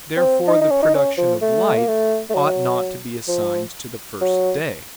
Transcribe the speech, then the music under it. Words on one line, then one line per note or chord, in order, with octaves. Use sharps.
Therefore the production of light ought not to be assigned to the first day.
C4
D#4
D#4
C#4
D#4
C#4
F3
A3
A#3
A3
A3
F#3
F3
F#3